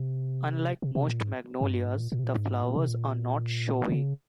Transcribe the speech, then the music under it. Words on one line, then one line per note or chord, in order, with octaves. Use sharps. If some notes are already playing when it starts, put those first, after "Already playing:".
Unlike most magnolias, the flowers are not showy.
Already playing: C3
C3
C3
A#2
G#2
G2
G#2
A#2
A#2
C3
A#2
G#2
A#2
C3
A#2
C3
C#3